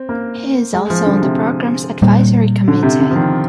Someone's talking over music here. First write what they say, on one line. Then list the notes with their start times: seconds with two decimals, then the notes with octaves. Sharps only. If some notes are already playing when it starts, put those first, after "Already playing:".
He is also on the program's Advisory Committee.
Already playing: C4
0.09 A#3
0.73 G#3
0.90 F3
1.06 D3
1.22 C3
2.02 A#2 G3 A#3
2.68 D3
2.83 C3
3.00 D3
3.11 F3
3.16 D#3